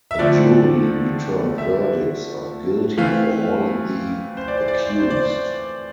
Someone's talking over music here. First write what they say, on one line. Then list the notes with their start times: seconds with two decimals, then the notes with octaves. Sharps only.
The jury returned verdicts of guilty for all of the accused.
0.11 E5
0.19 D3 F3 A3 C4 D5
1.58 E5
2.98 E3 A3 C4 F5
4.37 C5
4.48 D5
4.57 C5
4.68 D5
4.79 C5
4.89 D5
5.00 C5
5.10 D5
5.20 C5